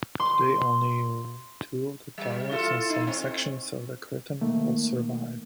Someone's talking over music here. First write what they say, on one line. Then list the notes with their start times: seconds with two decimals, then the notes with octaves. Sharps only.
Today only two of the towers and some sections of the curtain wall survive.
0.20 C6
2.18 G3
2.51 E4 F4 A4
2.89 D#4
3.07 C4
4.41 D#3 A3 A#3